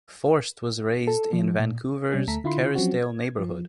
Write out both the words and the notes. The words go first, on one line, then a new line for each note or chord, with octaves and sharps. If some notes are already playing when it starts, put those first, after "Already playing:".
Forst was raised in Vancouver's Kerrisdale neighborhood.
A4
F3
A#2
C3 G3 C#4
D2 A3 A4 A#5 B6
D3 E4 F4 B5 C6
F3 F#3 C4 C#4 F#4
G#6
F3